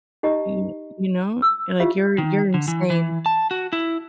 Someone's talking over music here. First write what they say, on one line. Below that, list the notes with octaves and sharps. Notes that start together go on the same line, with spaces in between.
y you know, like you're you're insane.
D#4 G4 D#5 A#5
E6
E4 F4 G4 C#5 E5 F5
D#3
D3
E3
E3
A5
F#4
E4